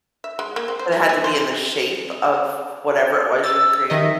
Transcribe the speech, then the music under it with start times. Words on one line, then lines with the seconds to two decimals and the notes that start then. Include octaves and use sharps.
But it had to be in the shape of whatever was your creating?
0.24 E5
0.39 G#3
0.56 A#3
0.68 C4
0.79 C5
0.92 G#4
1.09 G#4
1.24 C5
3.44 E6 A6
3.90 D#3 D#5 E5